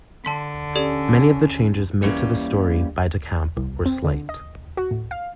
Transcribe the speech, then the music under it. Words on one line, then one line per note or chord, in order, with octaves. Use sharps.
Many of the changes made to the story by de Camp were slight.
D3 A5 C6 B6
C#4 G4 A4 D5
E3 G3 A#3 C#4
C2
C4
D3
D#5
F#4
A2
F5